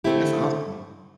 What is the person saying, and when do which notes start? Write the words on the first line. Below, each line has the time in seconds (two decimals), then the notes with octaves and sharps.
That's awesome.
0.04 D3 A3 C4 E4 G4